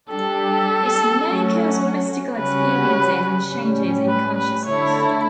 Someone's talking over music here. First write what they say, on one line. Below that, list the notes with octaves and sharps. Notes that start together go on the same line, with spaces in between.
It may cause mystical experiences and changes in consciousness.
G3 D4 G4 A4
F#3 A3 C#4 F#4
C#3 G3 C#4 F#4 B4
A2 G3 C#4
B4
B4
D3 A3 E4 A4 C#5